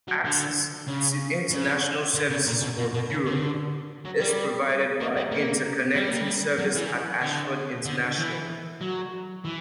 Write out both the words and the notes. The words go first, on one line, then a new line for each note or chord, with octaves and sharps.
Access to international services for Europe is provided by interconnecting service at Ashford International.
F#3
D3
C#3
C#3
D3
C#3
A#2
B2
B2
B2
C#3
D3
F#3
G3
A#3
G3
A#3
G3
A#3
G3
F#3
E3
D3
D3
E3
F#3
E3